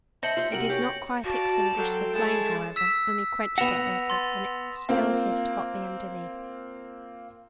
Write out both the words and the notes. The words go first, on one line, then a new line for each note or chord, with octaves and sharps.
It did not quite extinguish the flame, however--only quenched it a little--and it still hissed hotly underneath.
C5 D#5 E5 A5 A#6 C#7 F#7
F4 C5
C3 F#4 A#4 D7 F#7
G4 G#4 C#5
G3 F#4 D5 F5 A5
F#3 C4 A4 G5
G#3 E4 C#5 A5
E6 B6 E7
B3 F#5 A#6 E7 F7
C6 A6
A#3 C4 F4